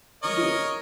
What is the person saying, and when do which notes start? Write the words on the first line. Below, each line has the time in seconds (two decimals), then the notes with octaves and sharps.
You do.
0.23 A#4 C#5 D#5